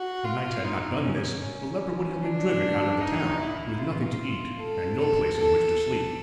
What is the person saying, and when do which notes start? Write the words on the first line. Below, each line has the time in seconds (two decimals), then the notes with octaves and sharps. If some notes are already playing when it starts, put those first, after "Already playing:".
If the knight had not done this, the leper would have been driven out of the town, with nothing to eat and no place in which to sleep.
Already playing: F#4
0.24 F4
0.65 D#4
1.04 C#4
1.43 C#4
2.22 D4
3.01 D#4
3.40 E4
3.80 F4
4.58 A4
4.98 A4
5.37 A4